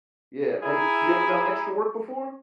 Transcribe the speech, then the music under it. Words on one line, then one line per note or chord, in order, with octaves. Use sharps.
Yeah, have you you ever done extra work before?
E4 G#4 A#5